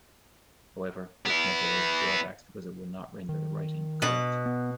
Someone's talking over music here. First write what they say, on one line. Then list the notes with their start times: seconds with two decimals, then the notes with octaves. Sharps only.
However, this method has drawbacks because it will not render the writing "correct".
1.26 B3 E4
3.29 D#3
4.02 B2 B4
4.46 B3